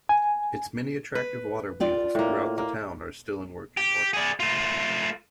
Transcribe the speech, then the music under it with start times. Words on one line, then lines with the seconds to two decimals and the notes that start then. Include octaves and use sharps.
Its many attractive water wheels throughout the town are still in working order.
0.09 G#5
1.15 B4
1.80 F4 D5 G5
2.15 A2 A#3
2.58 A#3
3.77 G4
4.13 G#4 D5
4.40 A3 F4